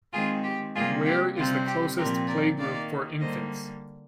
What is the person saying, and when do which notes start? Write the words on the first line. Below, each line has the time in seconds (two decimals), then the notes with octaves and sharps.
Where is the closest playgroup for infants?
0.13 D#3 G#3 C4 F4 G#4
0.44 G4
0.75 C3 G3 A#3 F4 G#4
1.05 G4
1.36 C3 G3 C4 F4
1.67 G4
1.97 A#2 F3 C4 G4 A#4
2.28 A#4 D5
2.59 D#3 A#3 D5 F5
3.20 D3 G3 A#3 C5 D#5